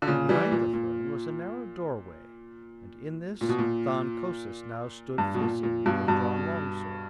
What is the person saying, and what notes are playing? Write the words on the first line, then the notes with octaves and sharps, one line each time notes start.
Behind the throne was a narrow doorway and in this Than Kosis now stood facing me, with drawn long-sword.
D3
A#2 C#3
E3 G3
A#2
A#2
A#2
B2
A#2
G2
B2
A#2
A#2
G2 B2
G2 B2